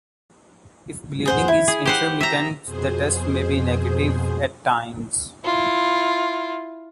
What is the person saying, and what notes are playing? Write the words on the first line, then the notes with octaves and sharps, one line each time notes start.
If bleeding is intermittent the test may be negative at times.
G#4 C5 F#5
E4
G#4
G4 C5 F#5
E5 A#5
F2 B2 G#4 C5
E4 F4